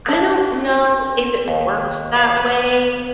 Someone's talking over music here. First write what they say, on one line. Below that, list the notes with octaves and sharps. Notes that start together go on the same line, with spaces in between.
I don't know if it works that way
D4 F5
D#2
F5
B3 B4